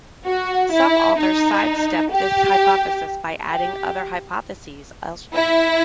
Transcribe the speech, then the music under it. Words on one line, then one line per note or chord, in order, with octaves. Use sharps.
Some authors sidestep this hypothesis by adding other hypotheses elsewhere.
F#4
E4
D#4
G4
G4
E4